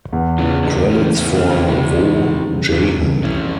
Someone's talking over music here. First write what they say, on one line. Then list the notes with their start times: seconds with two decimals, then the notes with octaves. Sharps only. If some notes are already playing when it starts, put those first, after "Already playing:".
Credits for "Woh Jahan".
0.12 E2
0.38 C#3 E3 D4 F4
0.65 E2 A#3 D4
0.90 C#3 E3 A3 C#4
1.16 E2 C#4 E4
1.33 D4 F4
1.42 C#3 E3
1.51 D4 F4
1.69 E2 E4 G4
1.95 C#3 E3
2.20 F2
2.46 C#3 E3 G3
2.72 F2 D4 F4
2.98 C#3 E3 G3
3.24 F2 C#4 E4